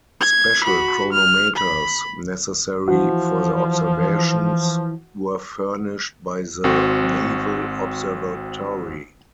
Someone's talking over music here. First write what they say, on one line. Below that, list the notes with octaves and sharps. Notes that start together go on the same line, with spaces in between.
Special chronometers necessary for the observations were furnished by the Naval Observatory.
G#6
F#4 B5
F6
B5
E3 F3 F#4
G#1 C4 F#4